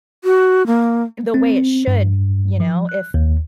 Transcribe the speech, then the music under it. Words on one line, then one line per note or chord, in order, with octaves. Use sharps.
The way it should, you know, if
F#4
A#3
C4
G2
F3
F#6
D#2